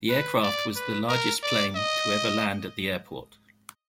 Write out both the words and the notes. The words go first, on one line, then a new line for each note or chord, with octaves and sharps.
The aircraft was the largest plane to ever land at the airport.
B4
D5
B4
A#4
D5
D#5